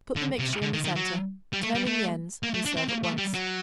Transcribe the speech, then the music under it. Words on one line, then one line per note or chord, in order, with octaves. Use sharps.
Put the mixture in the centre; turn in the ends and serve at once.
D3
C3
D3
D#3
D#3
F#3
G3
A3
G3
A3
A#3
A3
D4
C4
A#3
A3
G3
F#3